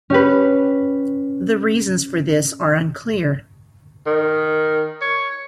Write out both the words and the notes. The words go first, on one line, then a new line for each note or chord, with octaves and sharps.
The reasons for this are unclear.
C#4 G4 B4
D#3
C#5